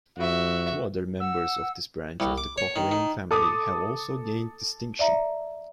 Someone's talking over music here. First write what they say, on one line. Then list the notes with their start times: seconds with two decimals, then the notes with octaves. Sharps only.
Two other members of this branch of the Cochrane family have also gained distinction.
0.17 F2 F#4 E5
1.20 F#5 E6
2.20 C2
2.38 D6
2.58 C#5
2.76 D#3
2.92 D#3
3.31 A4 D6 D#6
4.99 D5 E5 A#5